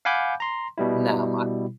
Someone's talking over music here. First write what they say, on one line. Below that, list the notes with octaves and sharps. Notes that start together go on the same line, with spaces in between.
No, I
F5 F#5 G#5 B5 D6 G6
A#5 C6
B2 G3 E4